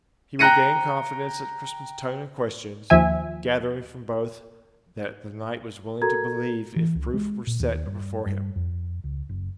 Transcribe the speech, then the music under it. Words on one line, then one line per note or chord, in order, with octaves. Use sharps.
He regained confidence at Crispin's tone and questions, gathering from both that the knight was willing to believe if proof were set before him.
G5 A#5 F#6 A#6 C#7 D#7
D#2 F3 E5 G#5
F#4 A4 A#4 A#5 G#6
E3
C#2
G#3
A#2
D#2
G2
G2
F2
C#2
F#1